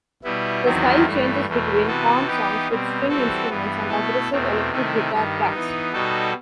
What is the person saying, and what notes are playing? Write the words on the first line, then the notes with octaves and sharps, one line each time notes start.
The style changes between calm songs with string instruments and aggressive electric guitar tracks.
B2 G3 B3 E4
E2 D#3 F#3 C4 E4
G2 E3 A3
E2 B2 A3
C3 E3 B3 F#4 A4
E3 B3 D#4 G4
B2 G3 C4
E3 G3 C4 F#4 A4
G2 E3 B3
B2 A3 E4 A4
E2 B2 A3 C4
C3 D#3 A3 E4
G2 D#3 G3
E3 B3 D#4
B2 G3 D#4 F#4 A4